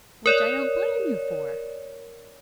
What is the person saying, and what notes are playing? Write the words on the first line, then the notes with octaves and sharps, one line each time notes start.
'Which I don't blame you for.
A#4 C#5 D5